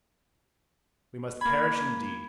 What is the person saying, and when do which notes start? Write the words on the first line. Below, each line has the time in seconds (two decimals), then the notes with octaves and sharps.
We must perish indeed.
1.41 A#3 B5 G#6